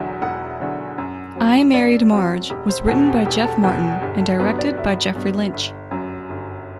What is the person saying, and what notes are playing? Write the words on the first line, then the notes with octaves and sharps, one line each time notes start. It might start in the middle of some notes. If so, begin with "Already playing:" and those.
"I Married Marge" was written by Jeff Martin and directed by Jeffrey Lynch.
Already playing: E1 E2 D3 F#3 E5 F#5
E1 F#5
E2 D3 F#3
F#2
F#3 C4
F#2 D5
F#3 C4 F#4
E1 G4
C5
E2 B2 A4
G4
E1 G4
A4
E2 B2 B4
G1 G4
A4
G2 F#3 B3 B4
D5
G1 E5
G2 F#3 B3
G1
F#2 F#3
G1